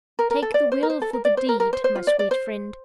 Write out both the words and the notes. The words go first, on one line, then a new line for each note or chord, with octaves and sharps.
Take the will for the deed, my sweet friend.
A#4
A#4
A4
D5
C5
A#4
C5
A4
A#4
D5
C5
A#4
A#4
C5
C5
F4
D5
D5
C5